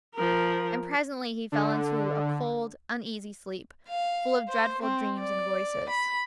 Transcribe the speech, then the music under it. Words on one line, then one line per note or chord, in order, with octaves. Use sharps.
And presently he fell into a cold, uneasy sleep, full of dreadful dreams and voices.
F3 A#4
D3
F5
C5
C4
D5
B5